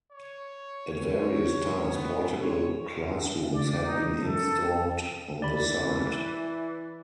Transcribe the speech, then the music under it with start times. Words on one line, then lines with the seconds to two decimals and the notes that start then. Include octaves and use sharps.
At various times portable classrooms had been installed on the site.
0.12 C#5
0.93 C#5
1.93 B3
2.42 C#5
3.53 D5
3.85 D#4
4.21 A4
5.42 E3 D5 B5